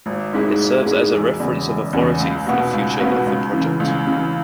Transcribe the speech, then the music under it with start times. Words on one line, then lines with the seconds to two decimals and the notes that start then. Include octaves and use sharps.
It serves as a reference of authority for the future of the project.
0.06 G#1
0.33 G#2 G#3 E4 G#4
0.59 G#1
0.86 G#2 G#3 E4 G#4
1.12 E1
1.40 E2 C#3
1.66 E1
1.93 E2 C#3
2.20 C#2
2.46 B2 B3 F#4
2.73 C#2
3.00 B2 B3 F#4
3.26 C#2
3.53 C#3 E3
3.80 C#2
4.07 C#3 E3